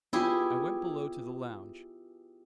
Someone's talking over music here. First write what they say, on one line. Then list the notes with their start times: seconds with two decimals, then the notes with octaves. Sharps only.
I went below to the lounge.
0.13 B3 E4 F4 G4 G#4